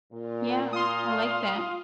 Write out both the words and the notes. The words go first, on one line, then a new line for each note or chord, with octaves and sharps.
Yeah, I like that.
A#2 F4
F5 C6 D#6